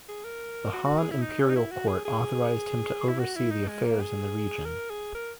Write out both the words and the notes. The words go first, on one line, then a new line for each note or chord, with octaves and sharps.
The Han imperial court authorised him to oversee the affairs in the region.
G#4
A#4
F#4
F#4
G#4
E4
D#4
C#4
D#4
E4
F#4
G#4
G#4
E4
F#4
E4
D#4
G#3
A#3
G#4
A#4
G#4
A#4